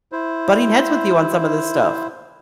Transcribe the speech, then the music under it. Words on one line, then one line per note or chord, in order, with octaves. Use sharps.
butting heads with you on some of this stuff,
E4 C5